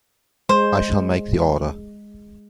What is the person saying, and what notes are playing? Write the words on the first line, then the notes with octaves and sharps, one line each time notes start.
I shall make the order.
G#3 C5